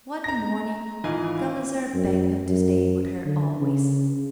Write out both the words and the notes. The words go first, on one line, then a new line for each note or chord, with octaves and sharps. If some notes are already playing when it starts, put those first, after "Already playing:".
One morning Gulizar begged him to stay with her always.
A#5 A#6
G#1 E3 D#4 F4 G#5
F#2
F#2
D3
C#3